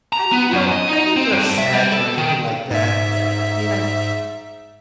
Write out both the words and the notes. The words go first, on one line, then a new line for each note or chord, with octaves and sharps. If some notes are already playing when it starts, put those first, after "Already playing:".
I didn't, you know, I didn't get upset or anything like that. Yeah, eh, I mean, I
A#5
B3
F#2
D#5
D#4
C4
G2
E5
G3
A4
D#3
G#2 E5